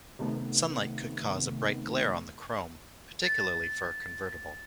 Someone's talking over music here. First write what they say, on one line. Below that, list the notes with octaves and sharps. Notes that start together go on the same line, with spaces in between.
Sunlight could cause a bright glare on the chrome, particularly for a convertible.
C3 D#3 A3 B3
A6